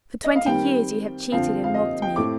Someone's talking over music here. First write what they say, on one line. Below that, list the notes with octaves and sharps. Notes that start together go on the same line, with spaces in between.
For twenty years you have cheated and mocked me.
D#5
F5
D#3 G3 C4 G5
D3 F3 C4 F5
F5
D#5
G5
A2 A3 C4 D6